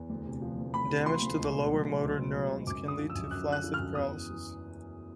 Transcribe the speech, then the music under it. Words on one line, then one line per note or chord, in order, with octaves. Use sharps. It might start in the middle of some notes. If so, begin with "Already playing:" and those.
Damage to the lower motor neurons can lead to flaccid paralysis.
Already playing: E2
D2
C3
F3
D2
D2 B5
C3
F3 C6
D2
C#2
B2
F#3
C#2
C#2
B2
F#3
C#2
F#2 D6
D3
D#6
F3
E6
F#2
F#2 F#6
D3
F#6
F3
F6
F#2
E2 D#6